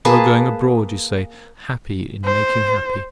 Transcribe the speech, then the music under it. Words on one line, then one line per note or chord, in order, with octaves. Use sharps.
You are going abroad, you say, happy in making happy.
A#3 G#4 B4 A5
C5